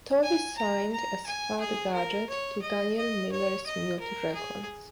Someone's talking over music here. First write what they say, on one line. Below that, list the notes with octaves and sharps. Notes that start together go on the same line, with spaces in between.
Tovey signed as Fad Gadget to Daniel Miller's Mute Records.
G#5
A#5
A#5
G#5
G#4
A#4
C#5
D#5
D#5
C#5
D#5
A#4
G#4